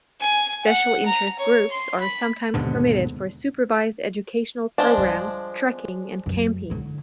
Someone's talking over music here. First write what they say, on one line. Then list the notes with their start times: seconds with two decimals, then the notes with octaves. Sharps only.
Special interest groups are sometimes permitted for supervised educational programs, trekking and camping.
0.20 G#5
0.65 F#5
1.06 A#5
1.39 C#5
1.71 C6
2.00 B5
2.54 D#2 G#2 B2 D3
4.78 F3 G#3 D4
4.97 G3
6.26 F#2
6.70 E2 D3